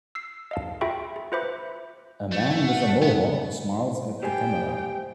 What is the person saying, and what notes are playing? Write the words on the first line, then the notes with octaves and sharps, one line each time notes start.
A man with a Mohawk smiles at the camera.
E6 C7
D#5 F5 A5
F4 G#4 E5 G5 B5 C#6
G#4
F4 B4 C5 E5 B5 D6
A3
F#5
A3 B3
G4 C5 G5 G#5